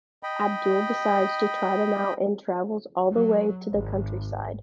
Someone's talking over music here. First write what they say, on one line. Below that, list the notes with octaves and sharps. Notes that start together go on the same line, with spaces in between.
Abdul decides to try them out and travels all the way to the countryside.
D#5 G5 B5
F#3
G#1